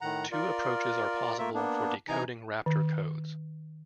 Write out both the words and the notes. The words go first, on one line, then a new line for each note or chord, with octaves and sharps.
Two approaches are possible for decoding raptor codes.
A2 D#3 F#5 A#5
F4 A#4 D5
A3 A#3 F4 A#4 E5
A#3 B3 D4
C3 E3 D#4 G#5 A#5
D#3